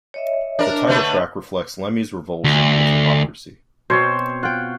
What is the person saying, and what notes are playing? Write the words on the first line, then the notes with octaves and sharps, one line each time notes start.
The title track reflects Lemmy's revulsion with hypocrisy.
C#5 D#5 E5
D4 A#4
D3 A3 B4
D2
B2 C4 C5 C#5
F4 F#5 G5